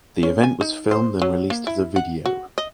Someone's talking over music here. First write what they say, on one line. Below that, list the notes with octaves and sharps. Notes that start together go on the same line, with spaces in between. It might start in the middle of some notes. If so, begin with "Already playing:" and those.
The event was filmed and released as a video.
C#4
G#5
D#4
C5
F#3
A#3
E4
F#5
F#4
D#5